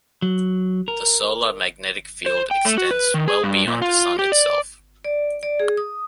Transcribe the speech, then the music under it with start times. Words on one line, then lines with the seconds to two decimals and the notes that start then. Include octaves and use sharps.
The solar magnetic field extends well beyond the Sun itself.
0.22 F#3
0.88 A#4
2.26 C5
2.51 G5
2.65 A3
2.78 F#4
2.91 B4
3.14 D#3
3.28 G#4
3.44 G2
3.67 A#2
3.82 F4
4.19 G4
4.32 D5
5.05 D5
5.43 D5
5.60 G#4
5.77 D#6